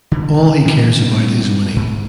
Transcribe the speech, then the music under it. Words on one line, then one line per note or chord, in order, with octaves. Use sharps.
All he cares about is winning.
E1 D3
A#2 E3 F3
G3 B3 C4 D4
G#2